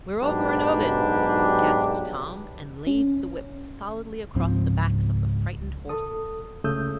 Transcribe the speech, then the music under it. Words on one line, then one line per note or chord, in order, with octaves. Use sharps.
"We're over an oven!" gasped Tom, and laid the whip solidly across the backs of the frightened horses.
B1 G#2 F#3 D4 G4 B4
C#4
C#2 G#2 F3 C4
A4 D#6
C#2 C#3 A3 D#6 E6 G6